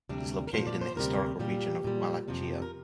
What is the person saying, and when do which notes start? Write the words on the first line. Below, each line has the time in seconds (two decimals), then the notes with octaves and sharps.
It is located in the historical region of Wallachia.
0.09 D2 C3 G3 D4
0.47 A#4
0.53 A#2 F3 C5
0.67 D5
0.81 C5
0.96 D2 C3 G3 A#4
1.40 A#2 G3 G4
1.84 A#2 G3
2.28 F2 C3 F3
2.62 A#4